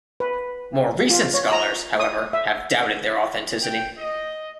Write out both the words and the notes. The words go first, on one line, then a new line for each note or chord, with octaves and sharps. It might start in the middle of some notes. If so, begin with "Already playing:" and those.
More recent scholars however have doubted their authenticity.
B4
F4
C#5
A#5
D#6
E5
G5
D#5